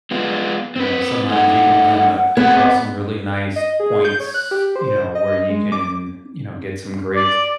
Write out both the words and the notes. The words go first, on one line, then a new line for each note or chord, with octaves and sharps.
you know, sometimes you can come a across some really nice points, you know, where you can, you know, get some great
G#3 B3 F4
C4 B4
A3 D#4 F#5
B3 C4 G#4 C#5
D#5
G#4
G6
C#5
F#6
G4
C5
D#5
G#3
D6
D5